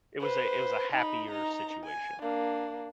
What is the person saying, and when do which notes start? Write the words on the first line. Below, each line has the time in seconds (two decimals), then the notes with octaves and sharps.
it was a it was a happier situation.
0.20 B4 C5
0.93 D#4 B5
1.31 D#4 A#5
1.84 G#5
2.22 A#3 D4